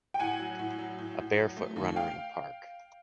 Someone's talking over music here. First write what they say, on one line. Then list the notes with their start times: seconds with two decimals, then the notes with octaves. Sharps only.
A bare foot runner in a park.
0.14 G5
0.19 A2 F#5 G#5
0.39 F#3
0.59 A2
0.78 F#3
0.98 A2
1.18 A2
1.38 F#3
1.57 A3
1.76 D#2
1.96 F5 G5